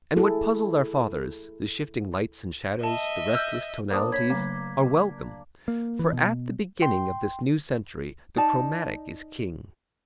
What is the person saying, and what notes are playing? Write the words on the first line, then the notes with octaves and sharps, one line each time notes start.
And what puzzled our fathers--the shifting lights and shadows, the restless tonalities--are welcome, for at the beginning of this new century the chromatic is king.
E4 G#4 A4
D#5 E5 A5
E6 F6 G6
A#3 D4 A#4 C5 D#6
C#5 B5 G#6 B6
C#3 F#3 A3 A#3
A#3
E3
B2
G5 C6
D#4 D5 A5